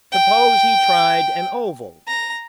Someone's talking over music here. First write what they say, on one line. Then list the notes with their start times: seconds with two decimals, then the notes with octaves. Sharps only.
Suppose he tried an oval.
0.12 G5
2.07 A#5